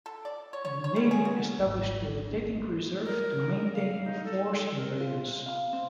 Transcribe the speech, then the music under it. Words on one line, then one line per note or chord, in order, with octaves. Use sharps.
The Navy established the rotating reserve to maintain a force in readiness.
A4
D5
C#5
C#5
C#5
G3
G#4
F#4
D#1 G#1
A#4
F5
D#4
A4
A#4
F4
C3
F5
C4